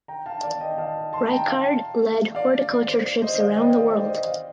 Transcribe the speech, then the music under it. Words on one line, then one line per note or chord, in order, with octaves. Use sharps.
Reichard led horticulture trips around the world.
G5 A#5
F5 A5
D5 F5
D#5 G5
F5 A5
A5 C6
G5 A#5
F5 A5
D5 F5
D5
C5
D5
C5 D#5
D5 F5
D#5 G5
D5 F5
C5 D#5
D5
C5 D#5
D5 F5